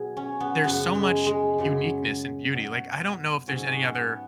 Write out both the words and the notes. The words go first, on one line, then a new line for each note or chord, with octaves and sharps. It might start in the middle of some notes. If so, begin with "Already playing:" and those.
there's so much uniqueness and beauty, like, I don't know if there's any other
Already playing: B2 F#3 G#4
C#4
B3
F#2 C#3 F#3 B3
G#3
G#3
F#2 C#3 F#3
B2 F#3
G#2 F#3 C#4
B3
B3